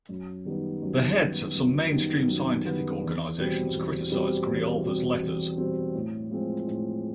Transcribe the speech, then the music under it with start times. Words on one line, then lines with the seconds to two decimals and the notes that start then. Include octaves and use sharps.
The heads of some mainstream scientific organizations criticized Grijalva's letters.
0.09 F#2
0.45 D#3 G3 B3 D#4
0.82 F#2
1.19 D#3 G3 B3 D#4
1.55 F#2
1.91 D#3 G3 B3 D#4
2.28 F#2
2.64 D#3 G3 B3 D#4
3.01 E2
3.38 B2 G3 C4
3.75 E2
4.11 B2 G3 C4
4.48 E2
4.84 B2 G3 C4
5.21 E2
5.58 B2 G3 C4
5.94 A2
6.31 F3 G#3 C4 F4
6.67 A2